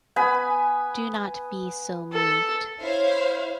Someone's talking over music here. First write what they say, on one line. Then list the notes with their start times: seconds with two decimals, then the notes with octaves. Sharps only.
Do not be so moved.
0.16 B3 G#5 B5
2.13 A4
2.81 E4 C5 C#5 F5